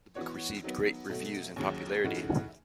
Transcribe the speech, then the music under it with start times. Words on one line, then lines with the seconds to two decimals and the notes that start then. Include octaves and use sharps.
The book received great reviews and popularity.
0.15 E3 B3 F#4 C#5
0.63 D#3 F#3 B3
1.10 B2 F#3 A3
1.56 D#2 C#3 F#3
2.04 C#3 E3 A3 D#4 F#4